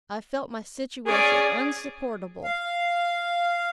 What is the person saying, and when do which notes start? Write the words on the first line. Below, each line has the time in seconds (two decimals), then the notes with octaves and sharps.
I felt my situation unsupportable.
1.06 C#4 G#4 C#5 D5
2.44 F5